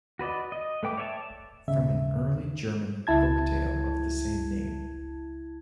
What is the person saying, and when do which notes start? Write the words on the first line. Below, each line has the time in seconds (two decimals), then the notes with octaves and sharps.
From an early German folk tale of the same name.
0.19 F#4 B4 D5 D#5
0.52 D#5
0.83 A3 B4 G5 D6
0.97 C#5 D5 E5 G#5 A5
1.68 D#2 G#2 C#3 E5
3.07 C#2 E4 A5 G#6